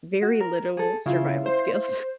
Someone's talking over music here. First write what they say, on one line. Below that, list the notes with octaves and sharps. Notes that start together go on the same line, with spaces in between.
very little survival skills.
F#4
A#4
G#4 A4
C#3 E4 F4
C5